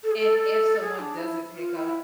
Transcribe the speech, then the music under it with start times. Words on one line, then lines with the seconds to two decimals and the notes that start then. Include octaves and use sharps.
And if someone doesn't pick up,
0.03 A4
0.11 G#4
0.18 A4
0.80 G#4
0.99 D4
1.18 E4
1.56 F4
1.75 E4